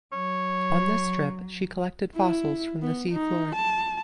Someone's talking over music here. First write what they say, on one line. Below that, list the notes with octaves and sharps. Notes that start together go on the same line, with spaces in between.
On this trip she collected fossils from the sea floor.
F#3 C#5
E4
B3
D#4
A5